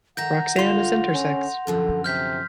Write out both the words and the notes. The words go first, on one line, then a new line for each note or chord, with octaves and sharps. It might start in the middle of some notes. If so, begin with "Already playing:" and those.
Roxanne is intersex.
D#3 E5 F#5 A#5 G6 A#6
D3 F4 C#5 C6 F7
C#4
F#2 D3 F3 A4
C3 F6 G6 B6